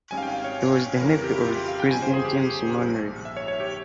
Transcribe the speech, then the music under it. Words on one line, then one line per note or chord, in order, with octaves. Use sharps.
He was the nephew of President James Monroe.
G#1 G#2 G3 C#4 G#5
F5
G5
F5
C#5
F2 C#3 E3 G3 A#4
A#4
G4
E4
F4
G4
F5
G5
G1 F2 C#3 G3 G#5
C5
G#4
G4
A#1 G#2 G3
E5
C#5
C#5
G4